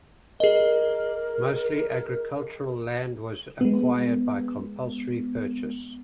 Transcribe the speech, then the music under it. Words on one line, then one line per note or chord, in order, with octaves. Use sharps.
Mostly agricultural land was acquired by compulsory purchase.
G#4 A#4 D#5
G#3 B3